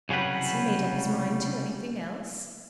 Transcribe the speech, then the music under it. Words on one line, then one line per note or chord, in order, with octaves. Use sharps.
"Has he made up his mind to anything else?"
C2 C#3 F#3 G3 B4